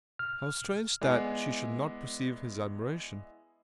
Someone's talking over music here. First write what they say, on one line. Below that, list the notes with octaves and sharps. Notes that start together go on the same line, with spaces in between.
How strange that she should not perceive his admiration!
F6
G#3 B3 E4 G#4 D5